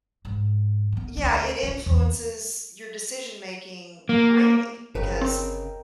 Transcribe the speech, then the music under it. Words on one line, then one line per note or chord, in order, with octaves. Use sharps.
Yeah, it influences your decision making greatly because,
G#2
D#3 B3
D2
F4
E2 C#4
A#3
G1 C#3 A#4 B4 D#5 G5
C4